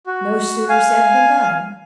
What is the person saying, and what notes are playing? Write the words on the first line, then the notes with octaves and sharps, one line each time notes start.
No sooner said than done.
F#4
F5 G#5